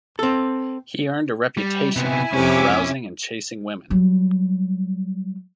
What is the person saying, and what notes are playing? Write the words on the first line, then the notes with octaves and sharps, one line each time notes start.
He earned a reputation for carousing and chasing women.
C4 A4
G3
C3 B3 E4 G#5
F2 C3 C#4 E5 D6
F#3 G3